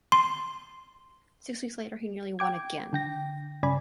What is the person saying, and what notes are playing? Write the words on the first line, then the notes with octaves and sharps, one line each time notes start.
Six weeks later he nearly won again.
C6
G5 D6 G#6
D3 G5 A#6
G2 C#3 D5 G#5 B5